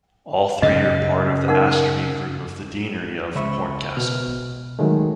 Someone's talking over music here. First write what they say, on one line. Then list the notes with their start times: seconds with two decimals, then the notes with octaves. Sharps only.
All three are part of the Asterby group of the Deanery of "Horncastle".
0.62 F#2 C#3 D#5
1.48 D#4 A#4 F#5
3.35 C#2 C5 E5 B5 C#6
3.97 B2 F6
4.79 D#3 F#3 G#3 A3